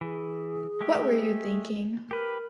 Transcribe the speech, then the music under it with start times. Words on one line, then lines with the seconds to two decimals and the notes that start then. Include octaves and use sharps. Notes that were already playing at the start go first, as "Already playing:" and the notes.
What were you thinking?
0.01 E3 G#4
0.81 G#3 A3 G4
2.11 G4 A#4 B4